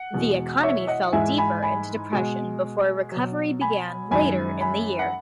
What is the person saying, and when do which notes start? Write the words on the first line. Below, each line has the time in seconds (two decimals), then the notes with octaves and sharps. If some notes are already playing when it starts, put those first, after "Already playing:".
The economy fell deeper into depression before a recovery began later in the year.
Already playing: F#5
0.14 E2 B2 G#3
0.63 C#5 E5
0.87 D#5 F#5
1.12 G#2 E3 G#3 E5 G#5
1.38 G#5 B5
1.62 G#5 B5
2.13 B2 G#3
3.12 B2 F#3
3.61 G#5 B5
4.11 F#2 D#3 G#3 G#5 B5
4.61 G#5 B5
4.99 F#5